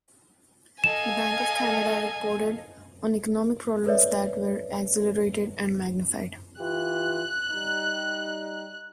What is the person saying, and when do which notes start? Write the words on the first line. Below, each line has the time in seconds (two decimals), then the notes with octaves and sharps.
The Bank of Canada reported on economic problems that were accelerated and magnified.
0.84 A4 D#5 F5 G#5 E7
3.86 A4 B4 C#5 D5 E5
6.59 E3 F4 G4 F#6
7.52 G3 D#4